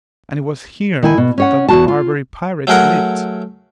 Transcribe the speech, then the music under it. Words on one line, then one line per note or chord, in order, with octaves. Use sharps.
And it was here that the Barbary pirates lived.
D#3 E4 G#5
B2
C#4 C#5 F#5
E2 F#4 A5
F4
F#3 A3 G#4 A#4 F#5